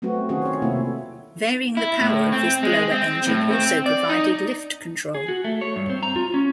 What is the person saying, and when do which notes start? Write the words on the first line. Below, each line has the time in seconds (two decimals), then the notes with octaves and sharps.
Varying the power of this blower engine also provided lift control.
0.02 F#3 A3 B3 C4 F#4
0.29 D#3 C4 C#4 F4 F#4 G#4
0.46 C#5
0.62 C3 A3 A#3 C4 E4
1.77 E4
2.01 A2
2.32 C4
2.63 G#3
2.91 C4
3.27 A2
3.51 C4
3.86 D5
4.09 D#4
5.15 G#4
5.28 F#4
5.44 A3
5.61 C#5
5.76 G2
5.90 C4
6.03 A#5
6.16 F4
6.34 C#4